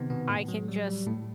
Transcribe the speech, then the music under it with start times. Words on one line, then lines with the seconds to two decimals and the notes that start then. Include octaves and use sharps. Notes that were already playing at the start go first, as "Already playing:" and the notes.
I can just
Already playing: C3 D#3 B3 C4 D#4
0.10 B2 B3
0.29 A2 A3
0.48 F#3
0.68 G3
0.87 G3
1.06 A2 A3